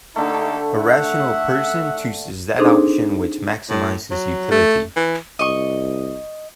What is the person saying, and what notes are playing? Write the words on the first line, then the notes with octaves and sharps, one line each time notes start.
A rational person chooses that option which maximizes utility.
D3 A3 A#3 D#4 G4 A4
E5 F#5
C4 D4 D#4 G#4 A4 C5
A2
F#3
A3
E3
C2 D#5 C#6